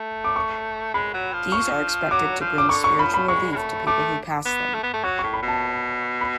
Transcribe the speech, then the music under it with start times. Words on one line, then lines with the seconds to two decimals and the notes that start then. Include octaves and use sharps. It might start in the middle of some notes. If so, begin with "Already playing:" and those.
These are expected to bring spiritual relief to people who pass them.
Already playing: A3
0.24 D6
0.36 C#6
0.94 G#3 B5
1.14 F#3
1.33 F3
1.52 C#6
2.11 F#3 D6
2.41 F3
2.58 D6
2.69 D3 C#6
2.84 C#6
2.99 F3 B5
3.14 B5
3.28 G#3 C#6
3.52 G#3
3.57 A3
3.87 A3 D6
4.46 B3
4.74 A3
4.83 B3
4.94 A3
5.04 F#3 C#6
5.19 C#6
5.23 A2
5.34 B5
5.43 B2
5.48 A5
6.21 B5